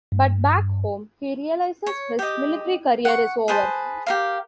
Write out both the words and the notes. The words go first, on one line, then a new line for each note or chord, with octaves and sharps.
But back home he realizes his military career is over.
G2
C#5
G4 D#5
F#5 C#6
G#4 B4 C5 A5
G4 A#4 F5